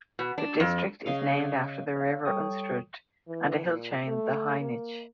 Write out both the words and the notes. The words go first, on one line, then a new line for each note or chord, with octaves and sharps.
The district is named after the river Unstrut and a hill chain, the Hainich.
B2
D4
F2
C#3 D#5 F5
C#5 F5
G3 A4 C#5 G5 C#6 D#6
E3
A#2
A3
A#3